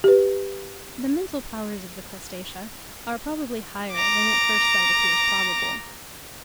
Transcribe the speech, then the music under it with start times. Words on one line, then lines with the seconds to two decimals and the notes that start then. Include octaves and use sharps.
The mental powers of the Crustacea are probably higher than at first sight appears probable.
0.04 G4 B4
3.93 A#5 D6